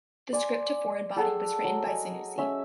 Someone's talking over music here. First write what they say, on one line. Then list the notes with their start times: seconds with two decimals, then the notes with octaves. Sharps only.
The script to "Foreign Body" was written by Zanussi.
0.33 D5 G#5 C6
1.16 G#4 A4 F#5 G5
1.64 F#3
1.86 D#5 G#5
2.38 C#4 E5 E6